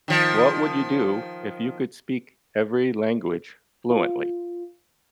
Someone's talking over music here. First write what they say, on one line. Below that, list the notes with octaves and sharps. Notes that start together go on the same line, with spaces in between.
what would you do if you could speak every language fluently?
D#3 F3
F4